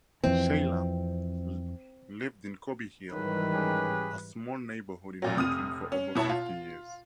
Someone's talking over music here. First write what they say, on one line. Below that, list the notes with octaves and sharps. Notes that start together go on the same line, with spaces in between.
Sheila lived in Cobble Hill, a small neighborhood in Brooklyn for over fifty years.
F2 E3 C4
C#2 G#2 D#3 E3 G3 B4
C#4 G4 G#4
A1 A#2 F#3
F1 C3 D#6 F6 D#7
C#4
B2 E4 C#5 A5
F4